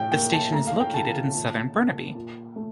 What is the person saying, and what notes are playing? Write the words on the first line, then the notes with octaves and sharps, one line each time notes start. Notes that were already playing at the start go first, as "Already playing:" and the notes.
The station is located in southern Burnaby.
Already playing: A2 G5
A#3 G5
A5
A3 A#5
F5
G5
D3 A5
A#2
A#3
A#2
A3